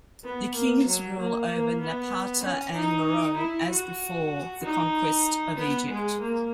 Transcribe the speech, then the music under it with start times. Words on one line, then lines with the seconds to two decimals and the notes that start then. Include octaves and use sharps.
The Kings rule over Napata and Meroe as before the conquest of Egypt.
0.24 B3
0.54 A#3
0.86 F#3
1.18 A#3
1.49 A#3
1.80 B3
2.43 C#4
2.75 D#4
3.37 E4
3.69 F#4
4.63 D#4
5.58 B3
5.90 G#3
6.21 A#3